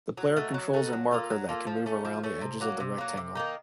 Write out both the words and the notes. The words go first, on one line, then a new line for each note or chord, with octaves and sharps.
The player controls a marker that can move around the edges of the rectangle.
F#3
A3 D#4 F#4
F#3
A3 D#4 F#4
F#3
A#3 F4 A4
F#3
A#3 F4 A4
F3
A3 C#4
F3
A3 C#4
C3
F#3 A#3
C3
F#3 A#3
C3
D#3 A#3 D#4